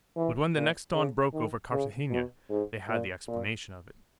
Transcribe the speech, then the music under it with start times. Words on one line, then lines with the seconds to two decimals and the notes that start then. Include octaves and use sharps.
But when the next dawn broke over Cartagena, they had the explanation of it.
0.17 E3
0.56 A#2
0.94 C#3
1.33 D#3
1.72 C#3
2.10 B2
2.50 G#2
2.89 A#2
3.28 A#2